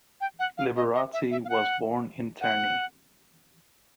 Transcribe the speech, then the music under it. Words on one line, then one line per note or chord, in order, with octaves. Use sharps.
Liberati was born in Terni.
G5
F#5
F5
D#5
D#5
E5
E5
F5
F#5
F#5